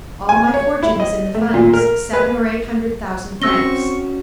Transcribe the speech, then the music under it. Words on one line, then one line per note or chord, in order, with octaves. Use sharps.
"All my fortune is in the funds; seven or eight hundred thousand francs."
G#5
C#5
E4
D#5
A3
A#2
A#4
B4
C4 C#4 F#4 C#6 E6 A#6 G7